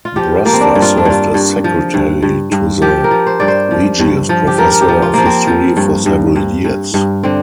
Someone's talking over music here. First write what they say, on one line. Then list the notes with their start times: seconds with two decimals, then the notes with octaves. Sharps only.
Broster served as secretary to the Regius Professor of History for several years.
0.05 F4
0.16 F3 G4
0.45 F3 A#3
0.53 C4
0.60 D4
0.75 G2
0.82 F4
0.97 D4
1.05 G2 F4
1.34 G2
1.64 F3
1.94 G2
2.22 G2
2.52 G2
2.82 F3 G4
3.04 A#4
3.11 F3
3.27 C5
3.40 G2 D5
3.48 C5
3.71 F3
4.00 G2
4.29 F3
4.47 G4
4.58 F3 A#4
4.72 A#4
4.81 G4
4.88 F3
5.02 F4
5.14 F3 A#3
5.26 C4
5.47 F3
5.77 G2
6.06 G2
6.36 G2
6.64 G2
6.94 G2
7.23 D3 C4